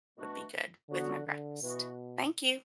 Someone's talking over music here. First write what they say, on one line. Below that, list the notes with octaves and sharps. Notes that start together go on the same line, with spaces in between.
would be good with my breakfast. Thank you.
B2 A3 D4 F#4
D3 F#3 B3 F#4
D3
B2 E3 B3 F#4